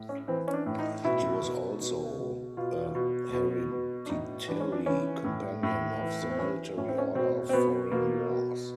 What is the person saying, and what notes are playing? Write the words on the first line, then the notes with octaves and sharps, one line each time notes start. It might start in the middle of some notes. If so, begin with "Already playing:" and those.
He was also a hereditary companion of the Military Order of Foreign Wars.
Already playing: A2
C#4
E3 C4
C#4
D4
A2
D#4
B2 E4
B2
B2
B2
B2 F4
B2
B2
B2
D4
A2 D#4
E3 D4
C#4
D4
E3 C#4
A2
A2
E3
B3
C4
E3 C#4
A2 C#4
C4
C#4
B2 C4
C4
B2 B3
B2 A#3
B2